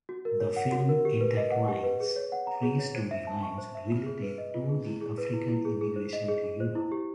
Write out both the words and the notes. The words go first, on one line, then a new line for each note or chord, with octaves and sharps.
The film intertwines three storylines related to the African immigration to Europe.
F#4
A#4
C#5
F#5
F#4
A#4
G4
B4
D#5
F#5
G4
B4
G#4
C#5
F#5
A#5
G#4
C#5
C5
E5
A5
C#6
C5
E5
F4
G#4
B4
D#5
F4
G#4
E4
G#4
B4
E4
E4
G#4
G#4
C5
D#5
G#4
G#4
C5
E4
G4